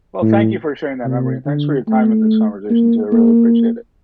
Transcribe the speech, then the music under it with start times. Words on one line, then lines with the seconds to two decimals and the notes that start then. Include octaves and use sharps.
Well, thank you for sharing that memory and thanks for your time in this conversation too, I really appreciate it.
0.22 A2
1.05 C3
1.46 D3
1.88 A3
2.70 A#3
3.12 A#3